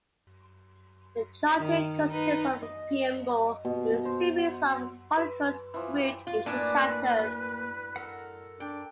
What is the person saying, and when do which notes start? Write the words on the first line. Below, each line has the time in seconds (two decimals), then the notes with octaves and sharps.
The Charter consists of a "preamble" and a series of articles grouped into chapters.
1.58 D#3
2.12 D#4 B4
2.62 D#5
3.65 B2
4.05 C5
4.38 F#5
5.17 B4
5.74 E3 F3
5.96 G4
6.27 F4
6.46 A2 A#3 D4 B4 G#5 A5
7.96 A4 A#4 F#5
8.60 D4 G5